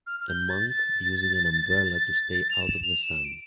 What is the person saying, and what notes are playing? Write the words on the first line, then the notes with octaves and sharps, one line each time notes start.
A monk using an umbrella to stay out of the sun.
F6
F6
G6
A6
A6
F7
E7
F7
E7
D7